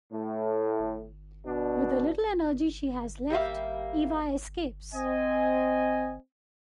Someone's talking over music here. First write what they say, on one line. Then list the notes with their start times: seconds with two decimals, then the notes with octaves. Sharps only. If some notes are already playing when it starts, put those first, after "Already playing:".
With the little energy she has left, Eva escapes.
0.11 A2
1.45 B2 D4
3.30 G3 A#3 E5 F5
4.95 C4 D#5 G#5